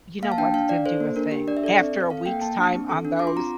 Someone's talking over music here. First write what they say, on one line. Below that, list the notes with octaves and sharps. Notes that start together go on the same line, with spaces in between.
You know what, it didn't do a thing. After a week's time on those,
A#3 F5
A5
D4 G5
D4 F5
D4 D5
A4 C5
A#3
D4 A#4
G4
D4 D5
E5
A4 D5
C4
C4
A4 F5
A#3 G5
A#3 A5
D4
C4
A4
D4
F4 D6
C6
C4 A#5